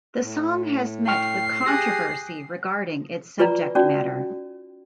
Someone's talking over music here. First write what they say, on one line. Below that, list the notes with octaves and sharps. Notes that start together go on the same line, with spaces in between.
The song has met with controversy regarding its subject matter.
A2
G5 C#6 F6 C7
G4 G#4 G#5 D#6 F#6 A#6
F4 B4 D5 A#5
C#4 D#4 F#4 D5